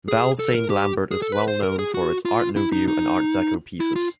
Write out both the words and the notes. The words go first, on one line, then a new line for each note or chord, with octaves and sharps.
Val Saint Lambert is well known for its Art Nouveau and Art Deco pieces.
G#4
A4
A#4
G4
G#4
A4
B4
C5
A#4
G#4
F#4
F4
E4
D#4
D#4
E4
F4